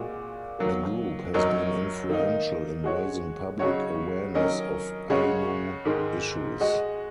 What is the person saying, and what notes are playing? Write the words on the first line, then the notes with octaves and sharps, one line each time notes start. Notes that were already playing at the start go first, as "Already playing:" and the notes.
The group has been influential in raising public awareness of Ainu issues.
Already playing: A#2 G#3 F#4
D#3 F#3 A#3
F#2 F#3 D#4 A#4 C#5
D#3 A#3 D#4
G#3 F#4 C#5
C#3 F#3 D#4 F#4 C#5
D#3 F#3 C#4 A#4 D#5
C#3 G#3 F#4 C#5
G#2 D#3 G#3
G#3 F#4 D#5